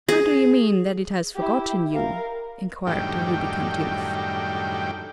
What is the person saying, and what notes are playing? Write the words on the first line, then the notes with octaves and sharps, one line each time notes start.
"How do you mean that it has forgotten you?" inquired the rubicund youth.
G#4
E4 G4
A#4 F5
F#2 A2 D#3 G3 D4 G5